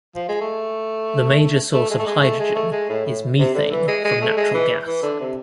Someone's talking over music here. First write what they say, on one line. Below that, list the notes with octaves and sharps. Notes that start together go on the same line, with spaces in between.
The major source of hydrogen is methane from natural gas.
F3
G#3
A3
A3
G#3
A3
G#3
A3
G#3
A3
G#3
A2
A2
C3
D3
E3
G#3
G#3
A3
G#3
E3
E3
D3
C3